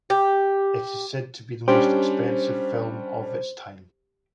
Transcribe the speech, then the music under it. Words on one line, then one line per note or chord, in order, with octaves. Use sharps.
It is said to be the most expensive film of its time.
G4
G3 C#4 D4 G4 C5